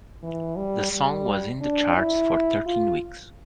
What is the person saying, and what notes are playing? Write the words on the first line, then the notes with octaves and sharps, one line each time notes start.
The song was in the charts for thirteen weeks.
E3
G3
G3
D4
E4
F4